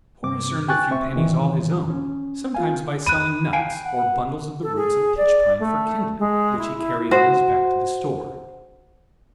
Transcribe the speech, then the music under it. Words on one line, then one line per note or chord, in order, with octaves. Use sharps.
Horace earned a few pennies all his own; sometimes by selling nuts, or bundles of the roots of pitch-pine for kindling, which he carried on his back to the store.
G2 C3 D6
G5 G#5 C#6 F#6 A6
C4 E5 C#6
E2 A#2 D#3 E3
C#4
F4 F5 G#5
B5 F#6 D#7
F5 G5 G#5
F#5
A4
G#4
D5
A3
G#3
E4
E4
F#4 C5